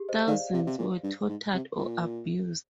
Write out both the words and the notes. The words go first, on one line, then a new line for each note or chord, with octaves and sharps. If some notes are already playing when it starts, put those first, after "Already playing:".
Thousands were tortured or abused.
Already playing: G4 G#4
C5 D#5
D#3 D5 F5
C3
C3
A#2
G2
G#2
C3
A#2